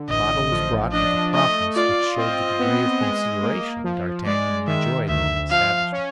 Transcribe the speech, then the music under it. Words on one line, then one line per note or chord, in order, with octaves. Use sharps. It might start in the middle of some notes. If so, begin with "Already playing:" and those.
The bottle was brought with a promptness which showed the degree of consideration D'Artagnan enjoyed in the establishment.
Already playing: D3
A1 D#5
F3
D4 D#5
A3 D#5
F4 D5
C4 D#5
B3
G#3
A#3
F3
G#3 D5
D#3 E5
D2 E5
F3 F5
C#4